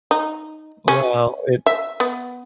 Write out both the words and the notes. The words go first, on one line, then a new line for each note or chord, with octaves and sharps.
Well, it
D#4
C#4
E5
B3